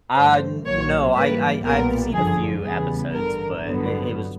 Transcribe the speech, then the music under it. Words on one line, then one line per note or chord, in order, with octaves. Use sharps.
Uh, n no, I I I've seen a few episodes, but it it was r
G2 E3 A3 C5
B1 A#2 F#3 A#3 C#5
G#2 E3 G3 A#3 B4
B1 A#2 G3 B3 A#4
G1 F#2 D3 F3 G#4
E2 C#3 E3 G3 B3 G#4
A1 G2 D3 A#4
G2 D3 F#3 B3